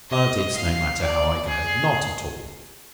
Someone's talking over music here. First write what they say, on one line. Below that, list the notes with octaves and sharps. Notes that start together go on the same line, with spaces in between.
But it's no matter how I go,--not at all.
D#5
F5
D5
G#4